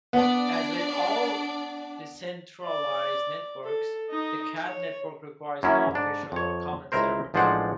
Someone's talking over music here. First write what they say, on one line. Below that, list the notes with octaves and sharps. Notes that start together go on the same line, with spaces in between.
As with all decentralized networks, the Kad network requires no official or common servers.
B3 D4 D5
D5
A4
D#4 D#5
C#5
F#2 A#3 C#4 E4
G#2 D4
F2 C#5
C#2 E4 A#4 C5
A1 F3 G#3 D4 C5 F#5